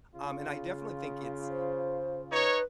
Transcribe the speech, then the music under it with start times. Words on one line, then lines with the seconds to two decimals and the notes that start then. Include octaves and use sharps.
Um, and I definitely think it's
0.15 C#3 F4
1.49 C5
2.32 D#4 B4 C#5